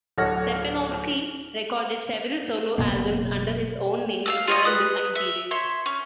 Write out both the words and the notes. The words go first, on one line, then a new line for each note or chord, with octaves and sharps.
Stefanovski recorded several solo albums under his own name during this time period.
D1 A4 C#5 F#5 F6 A#6
F#1 B2 A#3
F5 G#5 E6
F4 C#5 D#5
B4 D#6
E5
C#5 E5 C6
C#4